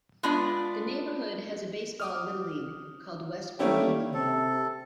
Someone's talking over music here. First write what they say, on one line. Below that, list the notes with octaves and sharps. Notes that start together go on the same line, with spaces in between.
The neighborhood has a baseball little league called Westbury Little League.
G#3 B3 D4 F4 D5
D6 D#6 F6
G3 A3 A#3 C#4 E4 G4
C3 A4